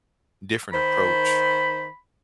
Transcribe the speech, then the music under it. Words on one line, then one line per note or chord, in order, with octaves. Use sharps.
different approach
D#3 C5 B5